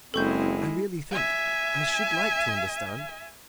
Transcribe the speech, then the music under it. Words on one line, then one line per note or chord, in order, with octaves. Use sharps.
"I really think I should like to understand."
F#1 G#3 C4 E4 A4 C#6 G6
E5 G#5